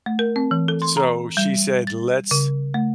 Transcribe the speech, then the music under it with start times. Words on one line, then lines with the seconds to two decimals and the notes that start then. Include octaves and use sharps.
So she said, "Lets"
0.06 A3
0.19 A#4
0.36 C4
0.51 E3
0.68 A4
0.82 C6
0.97 A#5
1.37 G3
1.87 A6
2.31 C#3
2.74 A3